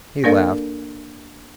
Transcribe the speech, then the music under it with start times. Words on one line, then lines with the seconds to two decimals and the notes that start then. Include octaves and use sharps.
He laughed.
0.24 A#3 D4 A4 A#4 D5 F5